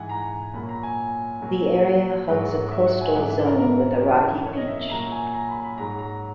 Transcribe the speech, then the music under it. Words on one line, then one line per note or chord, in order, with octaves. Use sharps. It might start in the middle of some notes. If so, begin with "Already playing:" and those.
The area hugs a coastal zone with a rocky beach.
Already playing: G#2 E3 F#5 G#5
A#5
A#2 F#3 B5
A#5
G#5
A#2 F#3
F#5
G#2 F#3
E5
F#5
G#5
G#2 E3 F#5
E5
A#4
A#4
F#2 E3
C#5
D#5
E5
E5
A#2 F#3 A#5
G#5
A#5
B5
B5
G#2 F#3 A#5
A#5